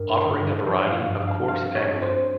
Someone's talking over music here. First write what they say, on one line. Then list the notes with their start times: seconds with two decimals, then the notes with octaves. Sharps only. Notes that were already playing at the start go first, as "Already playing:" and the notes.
Offering a variety of coarse angling.
Already playing: G2 A#4
0.26 G2
0.67 F3 C5
0.87 F5
1.07 G2
1.28 F5
1.48 C4 F5
1.75 C#5
1.89 G2
2.02 C5